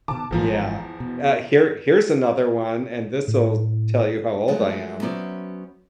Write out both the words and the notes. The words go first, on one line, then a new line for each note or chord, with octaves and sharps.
Yeah, uh, here here's another one, and this’ll tell you how old I am.
B2 D#3 A5 D6
G#1 E2 G#2 F3 A#5
B2
A2
F3 F#3 G#3 A3 B3
F#3 B3 C#4 C5 D5 E5